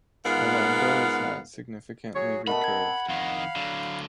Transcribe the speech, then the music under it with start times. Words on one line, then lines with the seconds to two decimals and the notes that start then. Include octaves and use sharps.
A longbow is not significantly recurved.
0.24 G#2 B3 F4 A#4 F5 F#5
2.15 F#3 F#4 G#4 C#5
2.47 B2 A3 B3 A#4 D#5 F#5 A5 B5
2.64 C4 G#6
3.08 F2 D#3 F5 B5 F6
3.56 D3 F#3